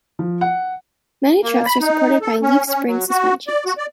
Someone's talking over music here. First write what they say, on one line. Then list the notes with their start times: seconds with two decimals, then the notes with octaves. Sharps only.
Many trucks are supported by leaf spring suspensions.
0.19 F3
0.41 F#5
1.43 A#3
1.66 B5
1.80 D#4
2.21 A4
2.42 C#4
2.67 C#4
2.87 F#3
3.09 F#4
3.47 D5
3.66 F#4
3.78 D5